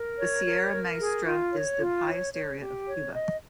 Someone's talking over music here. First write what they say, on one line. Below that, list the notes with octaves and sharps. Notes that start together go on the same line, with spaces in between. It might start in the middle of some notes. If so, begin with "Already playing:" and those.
The Sierra Maestra is the highest area of Cuba.
Already playing: A#4
C#5
A#4
A#4
G#4
F4
C#5
F4
C#5
C#5
G4
C#5
D#5